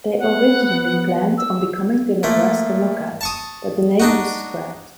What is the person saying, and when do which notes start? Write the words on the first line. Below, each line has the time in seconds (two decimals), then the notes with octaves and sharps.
They originally planned on becoming the Nebraska Knockout, but the name was scrapped.
0.19 B3 F#5
1.38 E6
2.23 A#2 A3
3.21 A5 C#6 D#6
4.00 D4 D#4 F#4